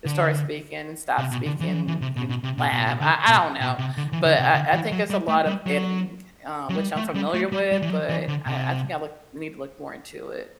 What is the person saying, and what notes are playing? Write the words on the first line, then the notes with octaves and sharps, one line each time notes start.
to start speaking and stop speaking in lab. I I don't know. But I I think there's a lot of editing, uh, which I'm familiar with, but I I think I look need to look more into it.
D3
C3
B2
D3
E3
F#3
E3
E3
C3
B2
B2
C3
B2
B2
B2
D3
B2
B2
C3
D3
E3
D3
C3
D3
E3
F#3
G3
A3
G3
F#3
F#3
G3
A3
G3
A3
G3
G3
E3
F#3
E3
D3
C3